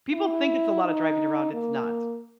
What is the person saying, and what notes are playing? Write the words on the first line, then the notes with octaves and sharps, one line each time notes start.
People think it's a lotta driving around, it's not.
E4
D#4
A#3